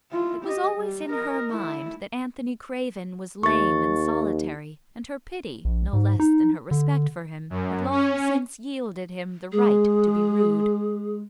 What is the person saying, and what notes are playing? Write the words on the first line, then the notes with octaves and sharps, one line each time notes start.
It was always in her mind that Anthony Craven was lame and solitary, and her pity no less than her respect for him had long since yielded him the right to be rude.
E4 F4
G4 D#5
G3
A#4 D#5
A3 E4
D#2 C#6 A6
A#1
G#2
D#4
D3
F#2
C#4
G#3 G#4